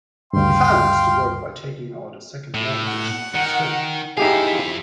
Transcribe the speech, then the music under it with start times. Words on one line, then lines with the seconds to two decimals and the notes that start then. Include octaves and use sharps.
He financed the work by taking out a second mortgage on his home.
0.33 D2 G2 F5 G5 C6
2.54 A2
2.87 F#5
3.35 D#3
4.18 F2 D#4 E4 G4 G#4 F5